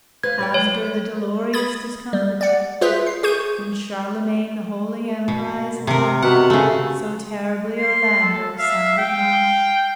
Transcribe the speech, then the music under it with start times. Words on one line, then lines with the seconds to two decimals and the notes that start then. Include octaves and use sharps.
After the dolorous discomfiture When Charlemagne the holy emprise lost, So terribly Orlando sounded not.
0.23 B4 C5 F5 G#6
0.39 G3 C#5 G5
0.54 F#3 G#3 C#5
1.53 B5 D#6 G#6 A6
2.13 G3
2.41 D5 F#5
2.81 F4 G#4 B4 C5 E5
3.06 C7
3.23 G#4 C#6 G6 D#7
5.28 B2
5.87 C3 A#4
6.22 B2 F#5
6.50 C#3 A3
7.78 C6
8.22 A4
8.59 E5 F5
8.98 G5